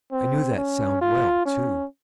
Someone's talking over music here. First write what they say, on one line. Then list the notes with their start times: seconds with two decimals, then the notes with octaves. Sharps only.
I knew that sound well, too.
0.12 C4
0.57 C#4
1.01 F4
1.46 C#4